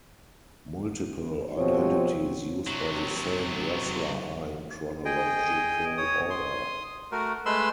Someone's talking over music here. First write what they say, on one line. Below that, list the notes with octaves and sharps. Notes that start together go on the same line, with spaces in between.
Multiple identities used by the same wrestler are in chronological order.
B2 F3 C4 G4 C#5
C3 F#3
G#4 D#5 G5
C#5 D#6
C6 D#6
A3 F#4 A#4
G#3 A3 B4 B5 C6 E6